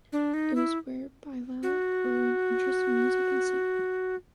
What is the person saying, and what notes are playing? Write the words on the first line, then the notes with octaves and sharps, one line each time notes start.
It was where Bilal grew an interest in music and singing.
D4
D#4
E4
F#4